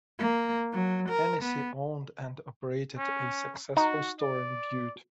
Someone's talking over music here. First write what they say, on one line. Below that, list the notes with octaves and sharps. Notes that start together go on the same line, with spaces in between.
Hennessy owned and operated a successful store in Butte.
A#3
F#3
A#4
B3
C#4
D#4 F#4
D5